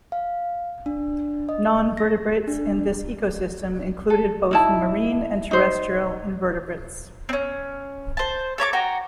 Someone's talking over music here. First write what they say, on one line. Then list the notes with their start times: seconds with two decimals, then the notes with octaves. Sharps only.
Non-vertebrates in this ecosystem included both marine and terrestrial invertebrates.
0.12 F5
0.86 D4
1.49 D#5
1.97 A#6
2.48 D4
4.10 A4
4.51 D#4 E4 A5
5.51 D#4 C5
7.29 C4 C#4
8.17 C5 A5
8.58 A4 C#5 A#5 D6
8.73 F#4 G5 A#5